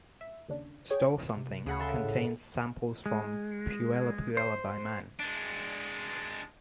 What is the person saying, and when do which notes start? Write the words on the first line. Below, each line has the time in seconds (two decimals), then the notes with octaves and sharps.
"Stole Something" contains samples from "Puella Puella" by Man.
0.21 E5
0.48 D#2 C#3 D4
0.90 G#4 C#5 G5 G#6 D7
1.37 C3
1.66 D2 C#3 G#4 A4 F#5 B5
1.79 E5 A5 C6
2.04 A2
3.06 G#3
4.37 C5
5.20 G#3 D4